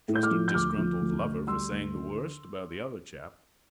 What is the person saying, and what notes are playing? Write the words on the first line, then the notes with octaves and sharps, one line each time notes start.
Trust a disgruntled lover for saying the worst about the other chap.
A2
G6
D6 F6
F3
G6
D2 D6 F6
F3
D2
D2
G3 C6 E6
D2
D3